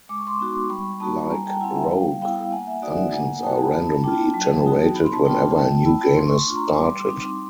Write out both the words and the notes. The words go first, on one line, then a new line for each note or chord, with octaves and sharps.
Like "Rogue", dungeons are randomly generated whenever a new game is started.
G#3 D6
C#6
C6 D6
B3 D#4 F#4
G3 B5 C#6
A#3 D#4 F#4 A5 B5
G3 G#5 A#5
G5 A5
C4 E4 F#5 G#5
E5 F#5
G3 F5 G5
B3 E4 F5 G5
A#3 F#5 G#5
E5 F#5
D#4 F#4 D5 E5
E5 F#5
A#3 F#5 G#5
D#4 F#4 G5 A5
A#3 A5 B5
D4 F4 G5 A5
F#3
B3 D#4 F#4
B3 B5
C6
A5 B5
D4 F4 G5 A5
B3 G5 A5
E4 A5 B5
A3 C6
C#6
C6
D4 F4 C#6
A#5 C6
G3 C6 D6
C4 D#4